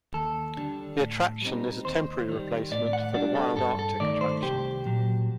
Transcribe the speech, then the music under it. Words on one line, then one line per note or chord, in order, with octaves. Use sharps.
The attraction is a temporary replacement for the Wild Arctic attraction.
D#2 A4
D3 G3 D4
A2
G3 C4 D#4
D#2 C5
D#3 G3
A2 D5
F#5
G3 D4 D5
A4
G2 A4
A4
D#3 A3 D5
C5
C2 G4
A#2 F#3